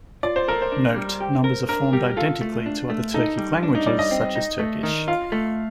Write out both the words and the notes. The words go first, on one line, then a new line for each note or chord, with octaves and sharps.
Note: Numbers are formed identically to other Turkic languages, such as Turkish.
F4 D5
C5
A4 A#4
C5
D4
G3
G4
A#4
D4 A#4
G3 G4
F4 A4
A3
D4
A3
D#4 A4
G3
D4
D#4
G3 D5
D#5
C4
D#4
A3
D#3
F4 F5
A3